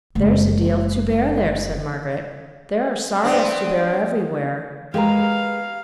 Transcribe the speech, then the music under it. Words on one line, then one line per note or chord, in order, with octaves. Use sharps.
'There's a deal to bear there,' said Margaret. 'There are sorrows to bear everywhere.
F#1 G#3
B3 C4 D4
G#3 G4 A#4 B4 F5 A#5